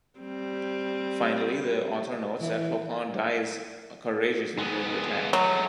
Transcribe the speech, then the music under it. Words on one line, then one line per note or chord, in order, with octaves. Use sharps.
Finally, the author notes that Clopin dies courageously during the attack.
G3 C4
E3
G#3 B3
F#3 G#3 A3